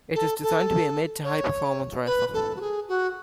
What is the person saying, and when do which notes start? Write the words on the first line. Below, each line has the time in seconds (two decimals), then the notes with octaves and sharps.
It is designed to be a mid to high performance racer.
0.15 A4
0.42 A4
1.24 C#5
2.06 B4
2.34 A4
2.56 F#4
2.61 G#4
2.88 F#4